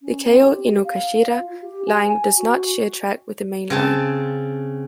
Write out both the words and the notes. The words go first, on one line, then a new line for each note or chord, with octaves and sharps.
The Keio Inokashira Line does not share track with the Main Line.
C#4
C4
G4
F5
F5
F4
G4
G#5
G#5
F#4
C#3 C4 A5